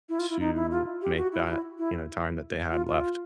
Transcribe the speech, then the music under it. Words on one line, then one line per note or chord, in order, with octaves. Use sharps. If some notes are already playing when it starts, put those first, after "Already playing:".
to make that, you know, time that they had left
E4
F4
E4
D#4
E4
F4
G4
F#4
E4
E4
E4
F4
F4